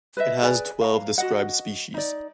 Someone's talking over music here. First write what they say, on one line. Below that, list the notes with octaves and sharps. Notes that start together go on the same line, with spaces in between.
It has twelve described species.
B4 D#5 E5
G#4 B4 D5 G#5
F5 A#5
F#4 D#5 F#5
D#4 D5